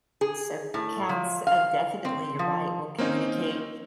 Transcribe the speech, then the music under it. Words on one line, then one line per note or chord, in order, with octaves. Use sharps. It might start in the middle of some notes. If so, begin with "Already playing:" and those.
So, cats, um, definitely, you're right, will communicate.
G#4
A2
F3
F5
C4
F3
A#3 C4 C#4 D#4